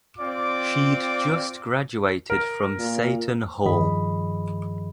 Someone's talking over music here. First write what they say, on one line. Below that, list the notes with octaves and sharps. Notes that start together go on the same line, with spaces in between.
She'd just graduated from Seton Hall.
C4 F4 D5 D6
A#4
A#2
G2 D#3 F3 G#4 D#5 B5